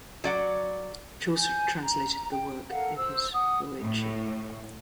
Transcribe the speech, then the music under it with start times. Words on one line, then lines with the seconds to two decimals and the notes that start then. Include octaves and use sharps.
Chaucer translated the work in his "Boece".
0.24 F#3 D5 F#5
1.35 G#5 G6
1.83 A#5
2.31 G5
2.70 A4 A#4 F5 F#5
2.97 C5 E6
3.33 F#5 D#6
3.80 A2